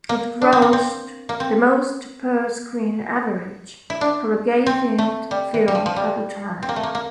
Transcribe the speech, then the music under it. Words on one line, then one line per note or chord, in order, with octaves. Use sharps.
It grossed the most per-screen average for a gay-themed film at the time.
A#3
D4
C4
A#3
C4
A#3
C4
E4
D4
C4
A3
G3
E3
G3
F3
F3
G3
C4
A#3
A3
A#3
A#3